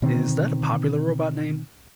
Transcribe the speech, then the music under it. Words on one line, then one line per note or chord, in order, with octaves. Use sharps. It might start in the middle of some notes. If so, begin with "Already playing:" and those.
Is that a popular robot name?
B2 D3 D#3 C4